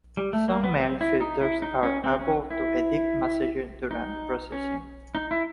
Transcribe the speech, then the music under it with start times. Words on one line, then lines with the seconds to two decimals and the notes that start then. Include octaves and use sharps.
Some mail filters are able to edit messages during processing.
0.17 G3
0.33 A3
0.48 A#3
0.64 B3
0.80 C4
1.01 E4
1.21 D#4
1.41 E4
1.62 D#4
1.83 C#4
2.04 C4
2.19 C#4
2.50 E4
3.91 D#4
4.52 C#4
5.15 D#4
5.31 E4